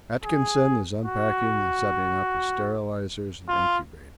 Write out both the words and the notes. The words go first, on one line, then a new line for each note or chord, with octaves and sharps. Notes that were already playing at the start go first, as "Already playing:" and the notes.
Atkinson is unpacking and setting up his sterilizers and incubators.
G#4
F#4
F4